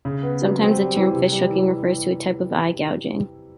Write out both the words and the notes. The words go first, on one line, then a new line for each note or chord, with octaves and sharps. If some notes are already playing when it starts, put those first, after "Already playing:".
Sometimes, the term fish hooking refers to a type of eye gouging.
C#3
B3
F#3
C4
G3
E3
C3
G3
E3